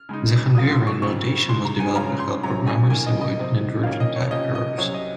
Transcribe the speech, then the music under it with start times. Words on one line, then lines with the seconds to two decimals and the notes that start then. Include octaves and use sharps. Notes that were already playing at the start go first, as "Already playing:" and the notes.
The Hungarian notation was developed to help programmers avoid inadvertent type errors.
Already playing: F6
0.09 C#3 G#3 D#4
0.55 A#2 F#3 A#3 F4 D#6
0.71 C6
0.87 C#6
1.02 F2 C#3 F#3 C4 C#6
1.49 C#2 C#3 G#3 C6
1.65 A#5
1.80 G#5
1.96 C#3 F3 G#3 C#4 F4 A#5
2.20 C6
2.43 C3 F#3 C#4 A#5
2.67 G#5
2.90 F2 D#3 A#3 G#5
3.06 D#5
3.21 D#5
3.38 C3 F#3 C4
3.83 F2 D#3 A#3 C#4 F5
4.00 D#5
4.16 C#5
4.31 C3 F3 A#3 C#4 D#5
4.55 D#5
4.78 C2 C3 F#3 C#4 C#5
4.94 D#5